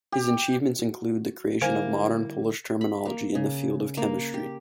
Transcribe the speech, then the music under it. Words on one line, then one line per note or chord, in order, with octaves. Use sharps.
His achievements include the creation of modern Polish terminology in the field of chemistry.
G4
F#4
D3 G3 A#3 E4 C5 G#5
B5
A#3
C#3
A#3
G4